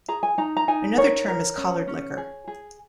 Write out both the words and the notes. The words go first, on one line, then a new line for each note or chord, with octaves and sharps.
Another term is collard liquor.
G#4 A#5
G#5
D#4 A#5
A#5
D#4 G#5
A#4 C#5
A#4
C#4
C#4
G#4
G#4